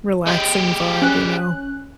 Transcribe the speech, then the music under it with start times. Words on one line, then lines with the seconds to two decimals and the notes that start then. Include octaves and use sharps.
relaxing vibe, you know,
0.27 G#3 G4
1.02 C#4 F#6